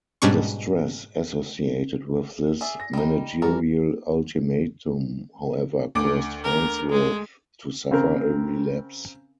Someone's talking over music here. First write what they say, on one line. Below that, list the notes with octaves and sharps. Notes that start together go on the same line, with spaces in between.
The stress associated with this managerial ultimatum, however, caused Farnsworth to suffer a relapse.
G#2 B2 G3 C#4 D4 C#6
G#4 D5 E5
A#6
G3 D#4
E3 G3 F#4 A#4 D5
D2 D6 D7
A#4
G#3
C#3 C4 A#4